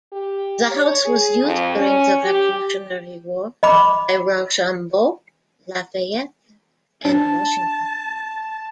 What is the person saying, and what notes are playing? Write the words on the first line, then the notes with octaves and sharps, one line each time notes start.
The house was used during the Revolutionary War by Rochambeau, Lafayette, and Washington.
G4
C#5
G#4
F2
C#4
G4
D#5 B5 D6
D4 A5